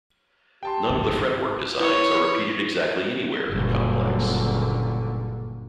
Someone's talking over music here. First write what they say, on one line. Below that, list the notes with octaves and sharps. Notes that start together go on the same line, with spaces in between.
None of the fretwork designs are repeated exactly anywhere in the complex.
G4 G5 A5 C6
D1 G#1 C3
E4 B4 C#5
F#1 G2 A#2 D3